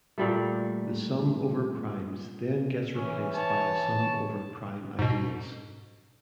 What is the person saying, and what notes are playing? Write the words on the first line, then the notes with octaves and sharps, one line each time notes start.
The sum over primes then gets replaced by a sum over prime ideals.
A#2 G3 A3
E3 C#4
C#5 A5
G#2 B2